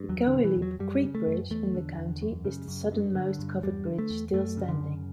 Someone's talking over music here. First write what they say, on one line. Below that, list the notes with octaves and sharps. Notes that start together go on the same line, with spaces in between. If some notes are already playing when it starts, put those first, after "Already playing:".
The Cohelee Creek Bridge in the county is the southernmost covered bridge still standing.
Already playing: G2
E2 F#3
D3
B2
E3
E2
F#3
F#2 G3
C#3
A3
F#2
E2 A3
D3
E2
F#2
C#3
F#2
G2
D3
G2
E2 G3
D3
A3
E2
F#2 A3
C#3
D3
F#2